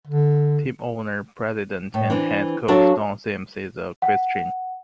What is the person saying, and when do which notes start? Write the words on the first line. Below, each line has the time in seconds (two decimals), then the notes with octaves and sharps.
Team owner, president and head coach Don Sims is a Christian.
0.07 D3
1.94 A2
2.10 E3 C4 D4
2.68 F#3 D4 F#4 A4 F5 A5
4.02 F#5